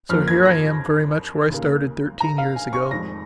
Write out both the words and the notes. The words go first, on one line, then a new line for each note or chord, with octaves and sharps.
So here I am very much where I started thirteen years ago.
F2 F3 A#3 F6
G#6
A#6
D#2 C#3 A#3
A#5
F5
G#5
C#6
F1 F2 D#3 G#3 A#6